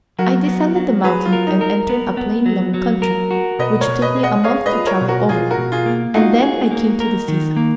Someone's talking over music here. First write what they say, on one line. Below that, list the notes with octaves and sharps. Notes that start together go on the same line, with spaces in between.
I descended the mountain, and entered a plain level country, which took me a month to travel over, and then I came to the sea- side.
F#3 F#4 A#4
B3
F#3
F#3 G#4 B4
F4
A#4
D#4
A#4
B3
B3
F#3
F#3
A#4
F#4
B2 B4 D#5
A#4 C#5
B2
B4 D#5
G#4
D#5 F#5
G#4 C#5 F5
B4 D#5
F4
A#4 C#5
B2
F#4 A#4
B2 F4 G#4
F#4 A#4
B2
F4 G#4
A#3
D#4 F4 F#4
G#4
A#3
A#4
D#3
A#3